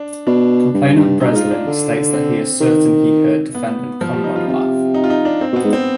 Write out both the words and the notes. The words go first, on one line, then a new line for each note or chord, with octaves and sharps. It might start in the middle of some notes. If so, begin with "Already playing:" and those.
Complainant Breslin states that he is certain he heard Defendant Condon laugh.
Already playing: D4
B2 D4
G2
G2
G2 D#4
G#2
F4
G#2
D4
D3
C4
D#3
B3
F3
G3
D#4
F4
C3
D#4
F4
D#4
D4
C4
B2 B3
G#2
C4